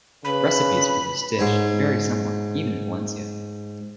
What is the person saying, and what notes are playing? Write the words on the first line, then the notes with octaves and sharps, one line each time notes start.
Recipes for this dish vary somewhat, even in Valencia.
C#3 B4 B5
G#2 C#5